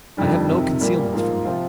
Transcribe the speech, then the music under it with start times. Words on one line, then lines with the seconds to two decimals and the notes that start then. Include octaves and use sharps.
I have no concealments from you.
0.17 F2 D#3 G3 D4
0.48 F2 C3 D#3
0.81 A#2 G3 A#3
1.13 G#2 F3 A#3 F4
1.44 C3 F3 C4 F4